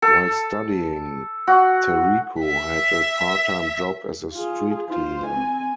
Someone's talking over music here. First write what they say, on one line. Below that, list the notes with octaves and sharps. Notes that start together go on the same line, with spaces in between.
While studying, Tariko had a part-time job as a street cleaner.
A4
F#4
E5 B6
F4 G#4
F4 C5
C4 G#5